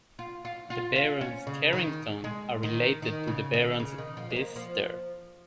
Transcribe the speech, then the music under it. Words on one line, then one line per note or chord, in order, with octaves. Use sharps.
The Barons Carrington are related to the Barons Bicester.
F4
F4
F4
F4
C#4
C#3
D#3
G#3
D#3
D#3
C#3
D#3
C#3
D#3
F3
G#3
A#3
F3